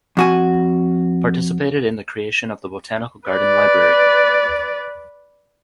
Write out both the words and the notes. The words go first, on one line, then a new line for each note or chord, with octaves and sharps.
Participated in the creation of the botanical garden library.
F2 F#4 G#5
B4 D5